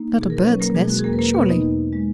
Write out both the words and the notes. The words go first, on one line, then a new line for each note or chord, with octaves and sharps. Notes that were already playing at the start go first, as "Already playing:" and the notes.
Not a bird's nest, surely.'
Already playing: A#3 D#4
B2
G#4
A#4
B4
F#3 C#4 C#5
A#3 A#4
B2 G#3 G#4
F#4
G#4
E2 A#3 A#4
B4
A#3 A#4
B2 B3 B4
D#4 D#5
E2
G#3